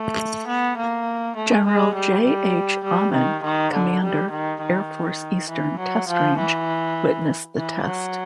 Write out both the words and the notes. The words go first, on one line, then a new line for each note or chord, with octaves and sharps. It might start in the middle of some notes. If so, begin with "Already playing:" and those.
General J. H. Ahmann, Commander, Air Force Eastern Test Range, witnessed the test.
Already playing: A3
B3
A#3
A3
G#3
G3
G3
G3
D#3
D#3
D3
G3
D#3
D#3
E3
F#3
F3
E3
E3
F#3